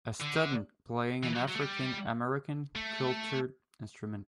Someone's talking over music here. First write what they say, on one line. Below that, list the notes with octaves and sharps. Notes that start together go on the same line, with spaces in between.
A student playing an african american cultured instrument.
D3
E3
F#3
F#3
A3
G3
A3